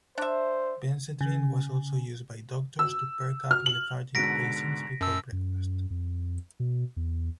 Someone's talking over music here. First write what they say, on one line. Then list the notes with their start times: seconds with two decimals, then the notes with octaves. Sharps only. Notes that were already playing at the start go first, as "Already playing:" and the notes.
Benzedrine was also used by doctors to perk up lethargic patients before breakfast.
0.18 D4 C5 E5
1.21 C#3
2.79 E6
3.51 F6
3.66 F#7
4.15 G#2 B2 D3 A#6 B6 D7
5.01 F#2 A5 E6
5.32 F#2
5.90 F2
6.60 B2
6.96 E2